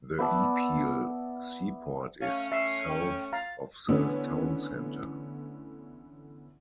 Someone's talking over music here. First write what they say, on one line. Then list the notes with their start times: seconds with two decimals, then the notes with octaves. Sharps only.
The Ipil seaport is south of the town center.
0.18 B3 E4 D5 A5
2.21 A3 C#4 F5
2.52 E5 C7
2.89 G5
3.33 F5 A#5 A6
3.88 D3 E3 A3 B3 C#4